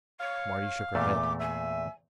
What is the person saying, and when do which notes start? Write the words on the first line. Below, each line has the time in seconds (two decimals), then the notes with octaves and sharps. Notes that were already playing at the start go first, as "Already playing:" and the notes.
Marty shook her head.
0.20 C#5 F5
0.95 E2 A#2 A3 D6
1.40 E5 G#5